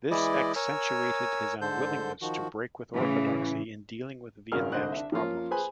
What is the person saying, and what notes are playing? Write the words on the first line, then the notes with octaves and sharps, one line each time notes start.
This accentuated his unwillingness to break with orthodoxy in dealing with Vietnam's problems.
E3 G#3 E4 D5 D#5
A#4 C#5 G#5 E6
G#2 D3 A4 C5 G6
D#3 F3 F#4
A2 C#3 E3
G#1 G2 C#3 A#4 F6
C2 D3 C5 D#5 F#6
D4 E5
F3 A#3 C#4 F4
G#4 B4 C5 G#5 B5